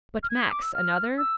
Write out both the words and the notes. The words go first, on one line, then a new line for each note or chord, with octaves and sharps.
'But, Max, another?
F6
G#6
D6
E6
F6
E6